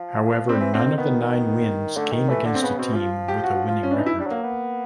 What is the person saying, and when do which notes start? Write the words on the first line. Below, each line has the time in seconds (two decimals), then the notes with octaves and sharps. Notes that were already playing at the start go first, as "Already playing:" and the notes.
However, none of the nine wins came against a team with a winning record.
Already playing: F3
0.49 G3 C4
0.61 E3
0.73 D3 C4
0.86 D#3
0.98 D#3 B3
1.96 D3 A3
2.12 D#3
2.29 E3 A3
2.45 D3
2.55 C4
2.62 C#3 B3
2.78 B2 C4
2.95 F3 F4
3.28 G4
3.44 F#4
3.68 F4
3.83 C#4
3.91 D4
3.94 E3 D#4
4.06 E4
4.18 G3 D4
4.27 F#3 A#3
4.43 B3